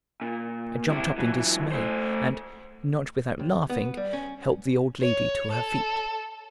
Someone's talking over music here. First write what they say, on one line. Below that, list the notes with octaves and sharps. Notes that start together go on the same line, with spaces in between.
I jumped up in dismay and, not without laughing, helped the old lady to her feet.
A#2
C3 E4
E3 F#3
A3 C5
D#2
B3
G3
C#4
C#5
A4